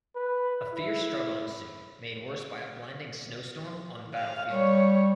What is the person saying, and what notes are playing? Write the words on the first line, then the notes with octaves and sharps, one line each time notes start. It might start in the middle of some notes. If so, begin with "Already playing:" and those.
A fierce struggle ensued, made worse by a blinding snowstorm on the battlefield.
B4
E4
F5
G3 C#5